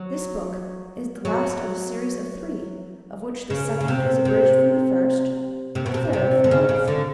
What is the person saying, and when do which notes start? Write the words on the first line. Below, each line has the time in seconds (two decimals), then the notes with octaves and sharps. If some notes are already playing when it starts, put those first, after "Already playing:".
This book is the last of a series of three, of which the second is abridged from the first, and the third from both.
Already playing: F#3
1.25 F#3
3.50 C#3
3.81 C#3
3.88 C3
4.25 C3
5.75 C3
5.86 B2
5.94 C3
6.13 C3
6.44 D3
6.51 C#3
6.69 C#3
6.88 D3